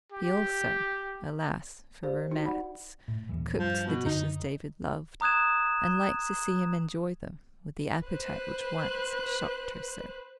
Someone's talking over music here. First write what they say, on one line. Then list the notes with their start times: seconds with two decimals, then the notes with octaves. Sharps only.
She also--alas, for romance!--cooked the dishes David loved, and liked to see him enjoy them with the appetite which once had shocked her so.
0.12 G4
2.03 G4 C5 D5 F5
2.31 D#4 F#4
2.45 D#4 D5 F#5 B5
3.08 A2
3.29 D#1 D#2 E3
3.58 G2 F3
3.87 B2
4.05 F#2 D3 D#4
5.21 A#5 D#6 F#6 G#6 E7
8.07 B4 C5 F#6